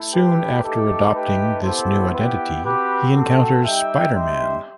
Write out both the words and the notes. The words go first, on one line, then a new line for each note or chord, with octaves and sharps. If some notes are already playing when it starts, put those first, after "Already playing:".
Soon after adopting this new identity, he encounters Spider-Man.
Already playing: A3 E4
G4 B4
A3 D#4 G4 A4
G4 B4
B3 E4 G4 A4 C5
G4 B4
C4 F#4 G4 B4
A4
G3 D#4 G4 E5 G5
C5 E5